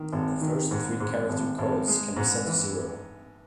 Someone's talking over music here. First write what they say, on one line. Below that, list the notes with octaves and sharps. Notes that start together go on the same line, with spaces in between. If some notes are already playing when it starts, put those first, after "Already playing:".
The first three character codes can be set to zero.
Already playing: D#3
G#1
D#3
G#2
G#2
G#1
G#1
G#3
G#2
E3